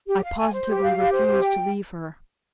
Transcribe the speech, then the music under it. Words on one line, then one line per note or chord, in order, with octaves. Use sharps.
I positively refused to leave her.
G4
F5
G#5
C5
G4
F5
G4
C5
G4
G5